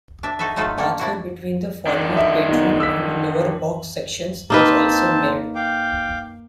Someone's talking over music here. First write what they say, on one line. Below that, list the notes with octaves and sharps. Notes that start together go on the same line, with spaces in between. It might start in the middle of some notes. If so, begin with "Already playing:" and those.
A pathway between the former Patron and Lower Box sections was also made.
D4 E5
D#4 F#4 A4 B4 E5
F#3 A3 D#4 F4 A4 B4
D3 A#3 C#4 A4
D4 E4 F#4
D#3 D4
E5
B3 D#4
E6 B6
A#3 C4 D#4 B4 A5
F5 G5 D6